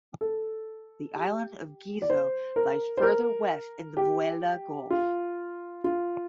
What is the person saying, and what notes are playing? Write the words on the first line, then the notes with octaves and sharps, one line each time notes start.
The island of Gizo lies further west in the Vella Gulf.
A4
G4
D5
C5
A#4
C5
A#4
G4
F4
F4